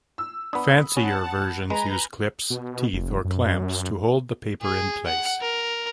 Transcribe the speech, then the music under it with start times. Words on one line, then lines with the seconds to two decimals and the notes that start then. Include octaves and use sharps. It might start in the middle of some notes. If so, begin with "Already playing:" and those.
Fancier versions use clips, teeth or clamps to hold the paper in place.
0.18 E6
0.53 B3 D4 B5 D#6
0.97 C#4 F#5 A5
1.70 G#3 B4 G#5 A#5
2.50 B2
2.93 F1
3.25 F#2
4.62 G#4
5.06 F#5
5.41 A#4